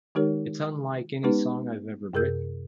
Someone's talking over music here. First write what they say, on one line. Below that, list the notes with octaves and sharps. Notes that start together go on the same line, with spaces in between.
It's unlike any song I've ever written.
D#3 G#3 D#4 G4 A#4 C#5
G#3 B3 C#4 D#4 G4 B4
F#2 C3 G#4 A#4 E6 G6